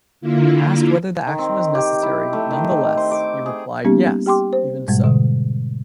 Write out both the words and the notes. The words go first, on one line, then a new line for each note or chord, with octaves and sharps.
When asked whether the action was necessary nonetheless, he replied, Yes, even so.
D3 A#3 E4 F4
D#3
C4
G4
E4
A3
D#3
C5
D6
G#4
G3 A#3 B3 C#4 D#4 G4
G4 G5 C6 D6
C5
G#2 B2 G3 G#3
B2 D3